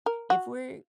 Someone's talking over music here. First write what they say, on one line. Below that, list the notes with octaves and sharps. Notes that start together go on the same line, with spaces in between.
if we're
A#4
F#4